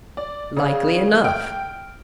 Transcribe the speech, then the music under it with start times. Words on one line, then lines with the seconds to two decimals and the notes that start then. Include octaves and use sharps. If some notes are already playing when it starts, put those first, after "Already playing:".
Likely enough.
0.17 D5
0.57 C#3 G#4 D5 F5
1.24 G5 F6 D7